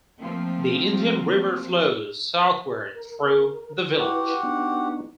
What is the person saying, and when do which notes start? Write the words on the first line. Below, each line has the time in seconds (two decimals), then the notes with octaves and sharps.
The Indian River flows southward through the village.
0.21 F3 A3 A#3 C4 F4
2.95 A#4
3.99 E4 F#4 G4 B4 F#5
4.43 B3 D4 D#4